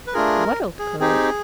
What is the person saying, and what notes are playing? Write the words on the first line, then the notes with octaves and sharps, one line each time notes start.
"What old cove?"
B4
A3 D4 F4 G#4 A#4
G#4
C4 D#4 G4 G#4